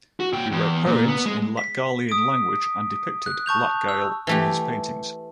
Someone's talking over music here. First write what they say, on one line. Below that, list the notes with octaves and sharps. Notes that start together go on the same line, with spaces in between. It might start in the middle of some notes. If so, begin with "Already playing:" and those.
He wrote poems in Latgalian language and depicted Latgale in his paintings.
F#4
A#2 G5
E2
A#2
B3
G#3
B6
D#6 D7
F#6
A5 C#6 G6 F7
E6
E3 A3 G4